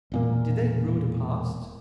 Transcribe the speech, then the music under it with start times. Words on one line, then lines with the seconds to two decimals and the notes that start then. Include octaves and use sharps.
Did they rue the past?
0.12 E1 A#2 A#3